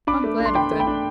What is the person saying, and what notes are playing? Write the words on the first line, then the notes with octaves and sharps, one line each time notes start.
'I'm glad of that.
D4 B5 D6
A3
D4
C6
D4 G5 B5
A3
G5 B5
D4